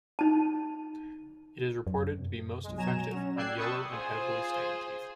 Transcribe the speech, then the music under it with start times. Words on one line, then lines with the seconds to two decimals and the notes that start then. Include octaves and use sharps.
It is reported to be most effective on yellow and heavily stained teeth.
0.19 D#4 A5
1.87 F#2
2.63 B1 G#3
2.77 B2 F#3 G#5 A#5 E7
3.10 F#3 C#4
3.35 D5 G5 E6 F#6 G#6 C7
3.57 B5 C#6 D#6 E6 G6 A6
3.92 F4 G#4 C5 G#5 C6